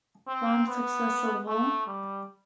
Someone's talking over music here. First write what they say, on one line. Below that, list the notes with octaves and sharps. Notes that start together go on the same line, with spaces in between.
Bom Sucesso Vol.
C4
B3
A3
G3